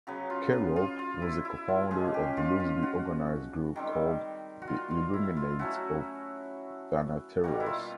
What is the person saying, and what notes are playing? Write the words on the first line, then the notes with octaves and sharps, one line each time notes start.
Carroll was a co-founder of the loosely organized group called the Illuminates of Thanateros.
C#3 F#3 B3
F4
F4
F4
F4
E4
E4
F4
C#3 F3 G#3 C#4 G#4
G4
F4
F4
F#4
D#3 G3 C4
F#4
F4
F4
E4
F4
F#3 A3 C#4 E4 F#4
B2 G3 A#3 F#4
E4
F4